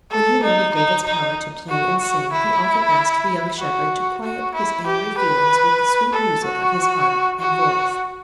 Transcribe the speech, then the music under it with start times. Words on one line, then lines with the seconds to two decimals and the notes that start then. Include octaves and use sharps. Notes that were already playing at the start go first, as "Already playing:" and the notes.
When he learned of David's power to play and sing, he often asked the young shepherd to quiet his angry feelings with the sweet music of his harp and voice.
0.11 A4
0.43 D#4
0.74 D#4
1.06 D#4
1.69 F#4
2.01 F#4
2.33 E4
3.59 F#4
4.23 F#4
4.55 E4
4.86 G4
5.18 B4
6.13 A4
6.44 F#4
7.40 F#4